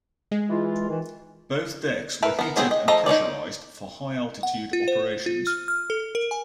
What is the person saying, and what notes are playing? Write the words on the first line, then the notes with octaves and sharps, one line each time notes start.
Both decks were heated and pressurized for high altitude operations.
G#3
E3 F4
D#3 E3
A#4 B4 E5
B3 A#4
F#3 B3 C4 G#4
D#5
F3 A4 D#5 A#5
D#4 A4 C#5 D5
F#5
F4
C5
F4
F6
F6
A4
A#4
G#5